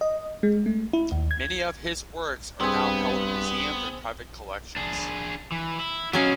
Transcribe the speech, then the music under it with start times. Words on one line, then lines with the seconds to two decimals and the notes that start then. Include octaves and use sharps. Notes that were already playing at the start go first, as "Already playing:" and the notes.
Many of his works are now held in museums and private collections.
0.01 D#5
0.43 G#3
0.66 A3
0.93 E4
1.12 D#2
1.31 G#6
2.60 G2 B3 C4 G#4
4.76 D4 G#4
5.52 E3
5.79 E4
6.13 F#3 B3 C#4 D#5 F5